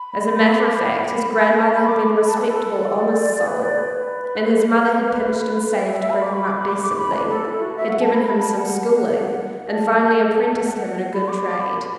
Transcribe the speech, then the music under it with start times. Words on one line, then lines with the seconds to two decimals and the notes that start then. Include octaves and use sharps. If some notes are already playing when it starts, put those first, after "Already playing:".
As a matter of fact, his grandmother had been a respectable, honest soul, and his mother had pinched and saved to bring him up decently, had given him some schooling, and finally apprenticed him in a good trade.
Already playing: B5
0.58 D6
0.74 B5
0.90 B5
1.55 A5
1.75 B5
1.86 D6
2.02 B5
2.14 B5
2.26 A5
2.38 B4
2.50 A4
2.98 D5
3.14 D5
3.30 D5
3.46 B4
3.62 D5
3.78 B4
4.89 B4
5.86 E5
5.97 E5
6.09 B5
6.22 D6
6.33 B5
6.45 D6
6.57 B5
6.68 D6
6.81 D6
6.97 B5
7.13 B4
7.29 A4
7.44 E4
7.61 F#4
7.76 E5
7.89 F#5
8.01 A5
8.13 B5
8.25 B5
8.41 A5
8.57 F#5
9.68 A5
10.64 F#5
11.12 B5
11.28 D6
11.44 D6
11.59 B5